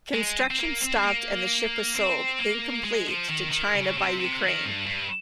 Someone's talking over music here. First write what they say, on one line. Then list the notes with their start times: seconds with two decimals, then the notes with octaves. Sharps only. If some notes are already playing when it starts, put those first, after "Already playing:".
Construction stopped and the ship was sold, incomplete, to China by Ukraine.
0.14 G#3
0.51 C4
0.59 A#3
0.81 C4
0.96 C4
1.04 A#3
1.94 C4
2.39 A#3
2.84 G#3
3.07 F3
3.30 D#3
3.51 D#3
3.74 C#3
3.97 C3
4.20 C3
4.42 D#3
4.65 G2
4.86 G2